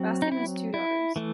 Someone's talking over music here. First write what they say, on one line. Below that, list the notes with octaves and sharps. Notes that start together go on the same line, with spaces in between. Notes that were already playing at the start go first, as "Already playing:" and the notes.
Baskin has two daughters.
Already playing: F#3 C4
D#4
E4
E4
E3 A3